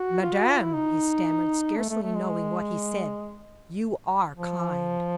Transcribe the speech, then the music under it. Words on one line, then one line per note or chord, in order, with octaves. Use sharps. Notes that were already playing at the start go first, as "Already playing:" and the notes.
"Madame," he stammered, scarcely knowing what he said, "you are kind."
Already playing: F#4
F4
F#4
F4
E4
D#4
A3
A3
A3
G#3
F3